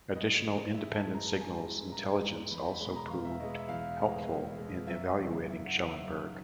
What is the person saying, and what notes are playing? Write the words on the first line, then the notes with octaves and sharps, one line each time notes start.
Additional independent signals intelligence also proved helpful in evaluating Schellenberg.
G2 D#5
E3 G#3
G2 E5
A5
E3 G#3
A#5
A5
G2
G#5
A5
E3 G#3
G2 A#5
E3 G#3
E2 B5
B5
B2 G#3 B5
A#5
E2 F5
E5
B2 G#3 D#5
E5
E2 F5
B2 G#3
E2
B2 G#3
F#2 E5
C#3 E3
F#2 E5
F#5
C#3 E3
E5
F#2